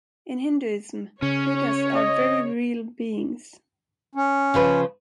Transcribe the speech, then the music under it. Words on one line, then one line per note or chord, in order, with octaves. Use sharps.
In Hinduism Pretas are very real beings.
C#3 C#4 C#5
D#5
C#4
C#3 F3 B4